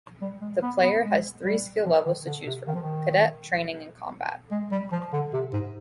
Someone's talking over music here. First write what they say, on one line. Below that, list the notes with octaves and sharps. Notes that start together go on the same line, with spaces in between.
The player has three skill levels to choose from: Cadet, Training, and Combat.
G3
G#3
B3
B3
G#3
G3
F3
D#3
D3
C3
D#3
F3
D#3
G#3
G3
F3
D3
C3
G#2